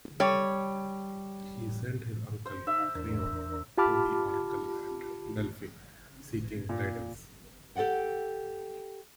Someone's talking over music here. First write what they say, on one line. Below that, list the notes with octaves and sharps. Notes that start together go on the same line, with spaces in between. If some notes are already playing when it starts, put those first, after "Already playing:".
He sent his uncle, Creon, to the Oracle at Delphi, seeking guidance.
G3 C#5
C5
D#4 E5 F5
E2 D4 A#4
F4 G4 A5 B5 D6 F6
A#2
G4 A4 D5 F#5 G5